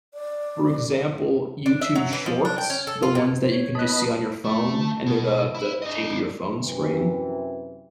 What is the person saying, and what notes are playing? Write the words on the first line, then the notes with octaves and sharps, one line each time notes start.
for example, YouTube Shorts, the ones that you can just see on your phone, and they're the the shape of your phone screen.
D5
D4
E5
F#3
E3
F3
D4
G5
C#4
A4
F4
A#2
C#5
B3 D#5 A5 B5 F#6
A3
B2
E4
D4 D#5
F#2 C3 E3